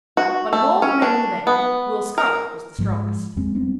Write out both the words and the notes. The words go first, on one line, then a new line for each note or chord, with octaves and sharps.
But of all the men in the band, Will Scarlet was the strongest.
F#4
A3
C#4
D4
B3
A#4
G#2 F3 G#3
E2 G#3 C4
G3 B3 C4 D4